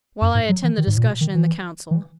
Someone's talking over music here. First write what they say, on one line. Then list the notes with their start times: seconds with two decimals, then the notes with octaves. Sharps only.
While I attend the discussion in the Council....
0.22 F#2
0.35 G#2
0.49 F#3
0.64 E3
0.78 D#3
0.87 G#2
0.97 A#2
1.06 B2
1.21 D#3
1.34 E3
1.91 E3